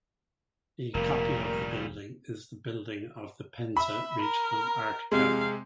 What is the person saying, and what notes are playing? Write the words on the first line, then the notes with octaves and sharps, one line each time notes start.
A copy of the building is the building of the Penza Regional Art Gallery.
F1 A#2 G3 A#3 A#4
E5 B5
A#4
C3 G#3 F5